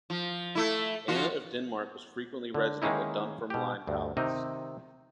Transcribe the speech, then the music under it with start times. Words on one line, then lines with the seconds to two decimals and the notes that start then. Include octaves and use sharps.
Anna of Denmark was frequently resident at Dunfermline Palace.
0.10 F3
0.55 A3 E4
1.08 F3 F4 F#4
2.54 D3
2.82 D#3 G#3 A#3 C#4 D#4 E4
3.50 B2 G4
3.87 D2 G2
4.17 C3 D#3 C4 D#4